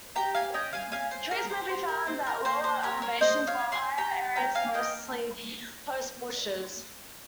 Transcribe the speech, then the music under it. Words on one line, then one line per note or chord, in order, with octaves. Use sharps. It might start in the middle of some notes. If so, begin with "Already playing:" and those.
Trees may be found at lower elevations, while higher areas mostly host bushes.
G4 G5 A#5
F5 G#5
C#4 D#5 G5
F5 G#5
C#4 F5 G#5
C5
G#4 A#4
C5
G4 C5
A#4
C4 C5
A#4
A#3 C5
C5
G4 A#4 C#5
A#4 C#5
G#4 C5 D#5
C#5 F5
C#4
G#5 C6
G4 G5 A#5
C#4 G5 A#5
F5 G#5
A#3 D#5 G5